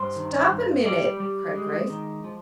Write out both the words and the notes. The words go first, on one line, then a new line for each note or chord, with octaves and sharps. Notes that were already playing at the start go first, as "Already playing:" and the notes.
"Stop a minute!" cried Grace.
Already playing: G2 C5
D#3
G2
G3 D5
G3
G#3
D#3
F3